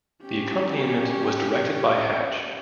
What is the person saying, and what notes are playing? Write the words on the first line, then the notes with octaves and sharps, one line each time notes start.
The accompaniment was directed by Hatch.
C#4 G4